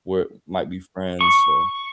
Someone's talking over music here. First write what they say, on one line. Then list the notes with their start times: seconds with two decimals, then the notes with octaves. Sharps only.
where might be friends, so,
1.21 C#6